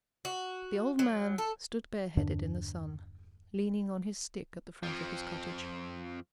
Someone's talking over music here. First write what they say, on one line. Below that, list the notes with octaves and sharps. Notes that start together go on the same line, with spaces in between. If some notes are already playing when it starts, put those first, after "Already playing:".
The old man stood bareheaded in the sun, leaning on his stick at the front of his cottage.
F#4
F#3
A4
E2 G2 D3 D4
F2 F3